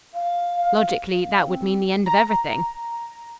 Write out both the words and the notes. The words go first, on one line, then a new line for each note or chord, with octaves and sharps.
Logically, that would mean the end of everything.
F5
F5
C4
A#5